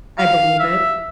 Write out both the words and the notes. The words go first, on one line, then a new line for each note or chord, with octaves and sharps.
I believe it.
F5
E5